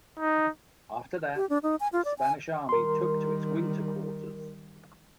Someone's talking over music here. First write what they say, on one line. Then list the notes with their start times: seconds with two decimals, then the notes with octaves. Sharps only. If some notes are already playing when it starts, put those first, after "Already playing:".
After that, the Spanish army took its winter quarters.
0.19 D#4
1.36 G4
1.50 D4
1.63 D#4
1.80 G#5
1.93 F4
2.05 D5
2.19 G#5
2.69 D#3 G3 A#4 C6